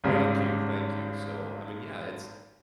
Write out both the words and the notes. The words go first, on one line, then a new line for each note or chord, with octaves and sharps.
Thank you, thank you, so, I mean, yeah, it's
G#1 D#2 G#2 C#3 G3